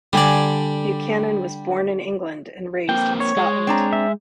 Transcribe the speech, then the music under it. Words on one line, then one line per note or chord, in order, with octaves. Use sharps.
Buchanan was born in England and raised in Scotland.
D3 G3 D5 G#5
A#3 C4 G5
C#5
G#3
C4 D4 A#5
E5